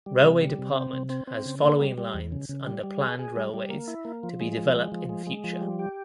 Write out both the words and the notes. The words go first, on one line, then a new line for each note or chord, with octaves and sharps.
Railway Department has following lines under planned railways to be develop in future.
G3
C3
G3
C3
C4
C3
C4
C4
C#3
A#3
G3
G3
E2
C#3
C#3
G3
G3
G#4
G#4
G3
G3
A#3
E4
A#3
F3
G#3
F3
G#3
F3
G#3
G#3
F3
G3
G4